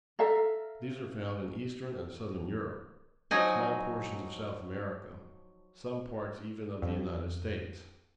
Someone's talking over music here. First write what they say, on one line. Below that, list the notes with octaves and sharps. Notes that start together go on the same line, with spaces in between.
These are found in eastern and southern Europe, small portions of South America, some parts even of the United States.
A4 E5 F5 A#5
F3 F#3 D#4 G#5
F2